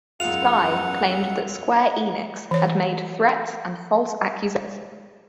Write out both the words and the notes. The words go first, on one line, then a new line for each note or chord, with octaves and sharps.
Sky claimed that Square Enix had made "threats and false accusations".
E1 F#2 D#4 F4 F#5 F7
E3 C#5